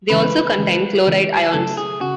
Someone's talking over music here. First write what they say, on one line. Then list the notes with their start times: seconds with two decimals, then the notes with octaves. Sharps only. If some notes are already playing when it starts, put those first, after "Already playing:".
They also contain chloride ions.
0.10 C#3 E3 G#3 B4
0.57 C#3 E3 G#3
1.05 C#3 E3 G#3
1.53 C#3 F#3 A3 C#4 E4 A4
1.77 G#4
2.01 C#3 F#4